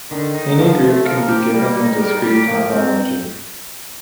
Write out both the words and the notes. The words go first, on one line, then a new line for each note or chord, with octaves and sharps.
Any group can be given the discrete topology.
D3 D#3
D#4
D3 F3
A3
F3 A#4
G4
G3 A#3
D#4
G3 A#4
G4
F3 A#3
C4